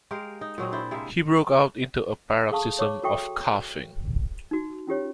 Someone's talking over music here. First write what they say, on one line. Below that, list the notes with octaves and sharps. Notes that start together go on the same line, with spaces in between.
He broke out into a paroxysm of coughing.
G#3 G4 A#4 F5
D#4
A#2 F#3 C4 G#4
D4 E4 C5
C3 G#3 A#3 E5
G#4 A4 F5 A5 C#6
C#5 C#6 D6
F#4 A4 E5 G5 C#6
D#4 F#4
C#4 F4 G4 C#5